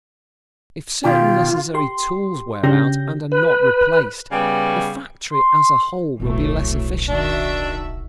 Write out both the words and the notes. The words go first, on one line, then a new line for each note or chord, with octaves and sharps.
If certain necessary tools wear out and are not replaced, the factory as a whole will be less efficient.
B2 D#3 F4 G4
G4 C6
C#3 C#4 D4 G4 G6 A#6
B4
C#3 G3 B3
C6
D1 B1 E3 F#3 A3
D#3 D4 F#4 E5